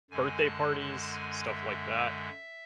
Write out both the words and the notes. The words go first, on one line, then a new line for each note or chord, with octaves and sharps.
birthday parties, stuff like that.
F#2 D3 G#3 G#5
A5
A5
G#5
E5